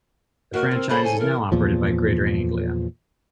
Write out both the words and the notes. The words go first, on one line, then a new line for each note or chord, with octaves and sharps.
The franchise is now operated by Greater Anglia.
D#2 F#4 A#4
C3 C4
C#3 G#4 A4 C5 B5
G#5
E3 A#4
E2 A#2 F3